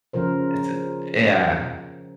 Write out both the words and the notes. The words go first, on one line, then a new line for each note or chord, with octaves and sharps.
It's a yeah, yeah.
C#3 F3 A#4 C5